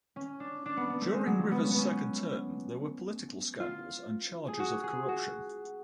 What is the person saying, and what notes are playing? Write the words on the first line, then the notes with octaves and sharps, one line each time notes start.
During Rivers' second term, there were political scandals and charges of corruption.
C#4
D4
D4
B3
B3
A3
G#3
F#3
F3
B3
C#4
B3
C#4
F4
G#4
F#4
G#4
F#4